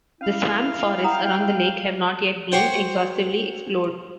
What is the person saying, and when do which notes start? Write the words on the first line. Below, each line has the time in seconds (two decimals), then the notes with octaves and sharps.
The swamp forests around the lake have not yet been exhaustively explored.
0.21 C#4 E4 F5
1.04 F#5 G5 A#5 D#6
2.52 F#4 G4 C5 C#5 F#5 G5